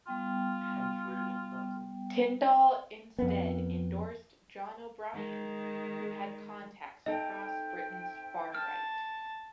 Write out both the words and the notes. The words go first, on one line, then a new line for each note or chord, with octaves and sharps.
Tyndall instead endorsed John O'Brien, who had contacts across Britain's far-right.
G3 B3 F4 G5
F2 B3
D#3 G#3
C4 D#4 A4 D#5 E5 G5
A5 F6